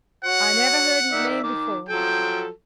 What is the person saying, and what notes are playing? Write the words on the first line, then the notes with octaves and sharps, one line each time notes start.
'I never heard his name before.
F#4 C#5 F#5
D#3 D5 E5
D#3 D6
F3 F#3 A4 G5